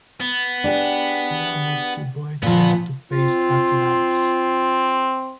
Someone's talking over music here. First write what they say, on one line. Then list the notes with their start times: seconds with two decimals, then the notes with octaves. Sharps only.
Sulla moved to Boeotia to face Archelaus.
0.20 B3
0.64 D4 G4 G#4
2.43 A#2 F3 B3 B4
3.12 C4 F4